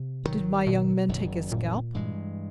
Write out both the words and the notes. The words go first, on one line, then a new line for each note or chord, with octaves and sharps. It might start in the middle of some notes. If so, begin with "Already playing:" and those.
"Did my young men take his scalp?"
Already playing: C3
G#1 F#2 D#3 F#3
B2
F#1 F#2 D#3 F#3
A#2
G2 E3 G#3